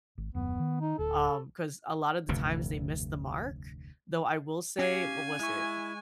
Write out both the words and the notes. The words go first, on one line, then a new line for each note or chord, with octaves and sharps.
um, 'cause a lot of the times they missed the mark, though I will say What was it?
G#1
D#1 F#2 B3
D#3
D#4
D1 A4
F1 D2 G2 C3
C#4 G4 F5 G#5
G#3 E4 C#6